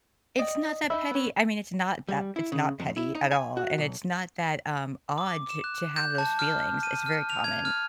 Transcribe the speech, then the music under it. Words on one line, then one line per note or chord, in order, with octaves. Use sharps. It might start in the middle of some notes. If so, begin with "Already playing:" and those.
It's not that petty, I mean, it's not that it's not petty at all, and it's not that, um, odd to to have those feelings, it's very common.
D5 D#5 G5
D#4 D#5 E5 B5 E6
B3 C#4
G3
E4
C#3
F2
E4
D#4
G#5
F#4
B1
D6
E7
F#6
G6
A5
F6
D#7
F6
F7
G#6
F6